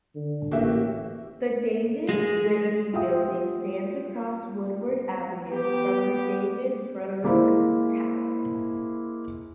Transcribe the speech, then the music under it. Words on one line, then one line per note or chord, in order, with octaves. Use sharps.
The David Whitney Building stands across Woodward Avenue from the David Broderick Tower.
D3
A1 A#3 F#4 G4 E5
G#3
F4 G4 E5 F#5 G5 D#6
B3 G4
G#3 A#3 E4 C5